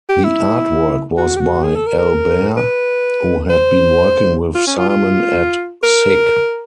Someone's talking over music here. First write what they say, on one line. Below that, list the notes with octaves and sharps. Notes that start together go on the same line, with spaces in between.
The artwork was by Al Bare, who had been working with Simon at "Sick".
G4
E4
F#4
G4
F#4
G#4
A4
A#4
A#4
B4
C5
F4
C#4
F4
F4
A#4